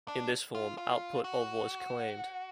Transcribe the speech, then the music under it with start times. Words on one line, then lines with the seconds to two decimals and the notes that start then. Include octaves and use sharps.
In this form, output of was claimed.
0.08 D4
0.55 F4
0.78 F4
1.24 F#4